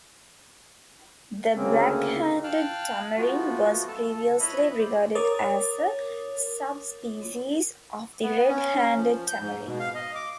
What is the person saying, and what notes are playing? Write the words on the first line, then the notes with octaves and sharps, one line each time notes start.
The black-handed tamarin was previously regarded as a subspecies of the red-handed tamarin.
D2 C#3 A#3 C4 C#4
F5 G5 A5 F6 F#6
F3 G#3 A3 B3 F4 F#4
A4 A5
B4 C#5 D#5 E5 B5
C5 D5
A#4 C#5 D6 D#6 A6
B3
C#4
C#4
F3
G6
G#2
B2
F5
D#5
D6